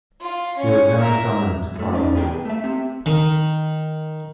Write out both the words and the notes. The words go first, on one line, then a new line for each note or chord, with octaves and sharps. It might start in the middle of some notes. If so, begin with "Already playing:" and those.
He was never summoned to Parliament.
F4
C#4 C#5
A#4 E5
F#2 A3
C#4 D#4 D5
B3 G4 G#4 A#4 G5
B2
A3 E5
C4 G4
D#3